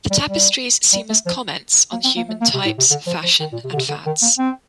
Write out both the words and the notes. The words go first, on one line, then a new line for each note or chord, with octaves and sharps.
The tapestries seem as comments on human types, fashion and fads.
G3
G3
G3
A3
F3
A#3
C4
A#3
A3
A#3
C3
A2
C3
D3
F3
F3
D#3
A#2
C3
D3
C3
D3
D#3
A#3
C4